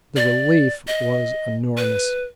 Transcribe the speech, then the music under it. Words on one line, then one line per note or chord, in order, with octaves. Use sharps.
The relief was enormous.
D5
D#5
B4